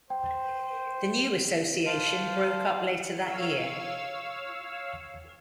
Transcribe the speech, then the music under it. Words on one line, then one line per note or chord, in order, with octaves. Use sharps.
The new Association broke up later that year.
C5 G5
C5 F5 A5
C#5 F5 E6